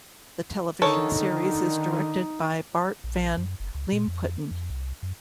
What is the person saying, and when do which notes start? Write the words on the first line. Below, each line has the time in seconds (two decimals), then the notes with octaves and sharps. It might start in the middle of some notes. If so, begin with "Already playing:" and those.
The television series is directed by Bart Van Leemputten.
0.82 D3 D#3 D#4 A4 C#5
3.04 A#1
3.38 F#2
3.60 F#1
3.75 C#2
3.92 A#2
4.07 F2
4.51 F2
4.70 C2
5.03 F#2